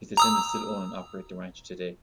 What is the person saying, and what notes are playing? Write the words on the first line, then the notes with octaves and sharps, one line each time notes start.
His descendants still own and operate the ranch today.
A#5 D#6 E6